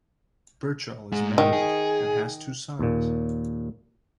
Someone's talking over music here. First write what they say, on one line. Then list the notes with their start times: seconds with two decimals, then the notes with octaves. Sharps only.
Birchall is married and has two sons.
1.12 G#2 G#4
1.38 D#3
1.53 G#4
2.79 D#2 A#2